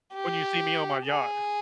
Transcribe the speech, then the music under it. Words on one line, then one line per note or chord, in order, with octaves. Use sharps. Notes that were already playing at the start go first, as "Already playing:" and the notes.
When you see me on my yacht.
G4
G#4